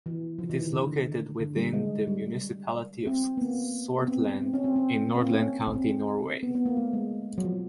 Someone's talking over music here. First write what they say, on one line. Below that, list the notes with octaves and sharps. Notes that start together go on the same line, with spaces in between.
It is located within the municipality of Sortland in Nordland county, Norway.
E3
F3
E3
D#3
D3
D3
G3
G#3
G3
C4
B3
A#3
B3
C4
C4
C#4
C4
C4
A#3
C4
C#4
C4
B3
B3
A#3
A3
G#3
F#3
F3